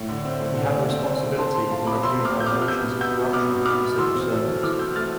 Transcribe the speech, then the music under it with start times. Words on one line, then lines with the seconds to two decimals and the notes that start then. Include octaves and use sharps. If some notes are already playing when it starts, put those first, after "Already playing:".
He had responsibility for reviewing allegations of corruption among civil servants.
Already playing: A2
0.09 D3
0.25 C4
0.41 A3
0.57 D3
0.74 D3
0.89 C4
1.06 A3
1.22 D3
1.38 C4 A5 C6
1.54 A3 A5 C6
1.71 F3 F5 A5
1.87 C3 B5 D6
2.03 C4 C6 E6
2.20 A3
2.25 D6 F6
2.36 F3 G6
2.46 D6 F6
2.52 C3
2.61 F6
2.68 B3 E6 G6
2.84 B2
3.01 B3 E6 G6
3.17 B2
3.33 B3 D6 F6
3.49 B2
3.65 B3 D6 F6
3.82 B2
3.98 E3 C6 E6
4.14 C4
4.31 A3
4.47 E3
4.63 E3 D6 F6
4.79 C4 E6 G6
4.96 A3 F6 A6